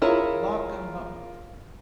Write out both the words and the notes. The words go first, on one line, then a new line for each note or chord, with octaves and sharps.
Lock 'em up.
E4 F4 G#4 A#4 C#5